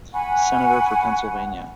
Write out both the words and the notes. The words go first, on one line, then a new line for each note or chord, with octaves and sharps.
Senator for Pennsylvania.
F#5 G#5 B5 C#6